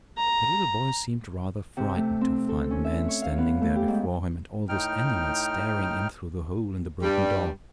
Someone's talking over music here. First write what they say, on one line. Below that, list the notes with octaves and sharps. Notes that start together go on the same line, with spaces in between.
The little boy seemed rather frightened to find a man standing there before him and all those animals staring in through the hole in the broken door.
A#5
C3
A3
C4
A4
C#4
E5
C#5
F5
B3
A3
G4
G#2
A2 D#4 G5 F6
G2 G3